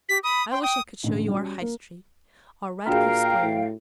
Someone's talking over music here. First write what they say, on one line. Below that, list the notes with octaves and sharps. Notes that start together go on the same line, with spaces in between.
I wish I could show you our High Street--our Radcliffe Square.
G4 B6
B5 D#6
G5 C6
G5 D#6
A1 D2
G3 C#4 F#4
A#3
A#2 D4 F#4 G#4 A#4 F5 G5
A2